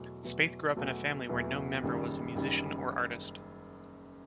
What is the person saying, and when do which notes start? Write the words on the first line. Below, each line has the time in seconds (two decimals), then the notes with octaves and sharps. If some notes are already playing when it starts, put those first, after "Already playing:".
Spaeth grew up in a family where no member was a musician or artist.
Already playing: E2 B2 F#3 A3
0.23 E2 B2 F#3 A3
0.76 E2 B2 F#3 A3
1.29 E2 B2 F#3 A3
1.83 F#1 F#2 D#3 G3
2.35 F#1 F#2 D#3 G3